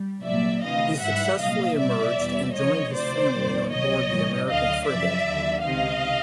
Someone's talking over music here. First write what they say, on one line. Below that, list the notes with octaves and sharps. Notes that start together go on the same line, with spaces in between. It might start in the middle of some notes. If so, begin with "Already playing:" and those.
He successfully emerged and joined his family on board the American frigate.
Already playing: G3
C2 A#2 F#3 D5 E5
D2 C3 E3 D#5 F5
G#2 E3 G3 E5 F#5
C2 A#2 F#3 D#5 F5
C2 B2 G3 D5 E5
E2 B2 G3
C#2 C3 F3 C#5 D#5
D2 C3 F3 C5 D5
F2 C3 D#3 G3
C2 B2 F#3 C#5 D#5
A2 E3 G3
D2 D3 F#3 D#5 F5
F#2 C#3 F3 D5 E5
D#2 D3 F#3
C#2 C3 D#3 D#5 F5